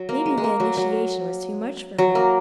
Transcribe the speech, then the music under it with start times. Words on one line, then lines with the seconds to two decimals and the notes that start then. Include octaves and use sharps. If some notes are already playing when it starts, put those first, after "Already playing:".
"Maybe the initiation was too much for her."
Already playing: F#3
0.09 A#3
0.26 G#3
0.37 G#3
0.44 A#3
0.60 F#3
0.77 F#3
1.98 F#3
2.15 A#3